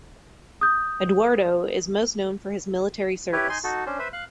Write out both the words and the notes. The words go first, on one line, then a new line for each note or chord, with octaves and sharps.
Eduardo is most known for his military service.
D#6 G6
E4 G4 B4 C#5
D#4 G#5 C6
D#4 F#4 A4
C#4 D4 C5
B4 C5 E5
F5 F#6